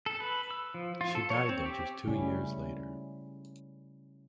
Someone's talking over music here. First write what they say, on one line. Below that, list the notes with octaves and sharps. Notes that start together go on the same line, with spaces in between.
She died there just two years later.
A4
B4
E6
F3
F4
A4
C#5
C4
G4
C#3 G3 A3 C#4 E4